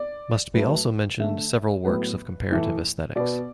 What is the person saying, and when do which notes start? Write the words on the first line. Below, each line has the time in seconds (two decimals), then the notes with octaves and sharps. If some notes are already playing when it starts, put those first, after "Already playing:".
Must be also mentioned several works of comparative aesthetics.
Already playing: D5
0.54 A2 F#3 A3 B4
1.19 D3 A3 E5
1.85 A2 F#3 B3 B4
2.51 A2 E3 A3
3.15 B2 B3 D5